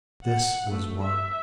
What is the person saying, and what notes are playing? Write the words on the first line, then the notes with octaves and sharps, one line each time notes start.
This was one.
F#5
A3
E5